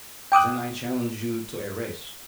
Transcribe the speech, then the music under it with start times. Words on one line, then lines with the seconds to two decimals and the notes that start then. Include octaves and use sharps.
Zen I challenge you to a race.
0.32 G5 D6 D#6 F#6